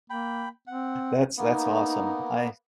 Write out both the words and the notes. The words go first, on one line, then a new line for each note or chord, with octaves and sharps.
That's that's awesome. I
A#3 G5 B5
C4 F#5
A#3 B3 D#4